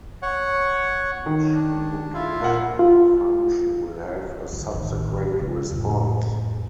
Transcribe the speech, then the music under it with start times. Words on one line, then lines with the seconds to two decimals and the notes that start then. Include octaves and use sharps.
Each invocation of a function will have a subsequent response.
0.22 C#5 F#5
1.26 D#3
1.54 D4
2.14 E4 F4
2.41 A#2 A#3 F#5
2.79 F4
4.53 G1
4.71 A1 D#3
5.41 C#3 G#3
5.71 F2 A2